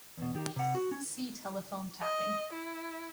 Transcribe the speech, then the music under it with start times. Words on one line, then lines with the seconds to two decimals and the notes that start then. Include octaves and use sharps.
See Telephone tapping.
0.17 E2 B2
0.35 D#3 G4
0.56 C3 F#5
0.75 F#4
0.91 C#4
2.02 D#5
2.53 E4